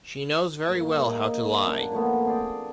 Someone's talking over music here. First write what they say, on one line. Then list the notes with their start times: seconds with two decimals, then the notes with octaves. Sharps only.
She knows very well how to lie.
0.68 G2 A#3
1.07 D#4 G#4 D#5
1.65 F#2 A#3 D4 B5
1.92 A#2 F3 A3 B3
2.25 C4 G#4 D5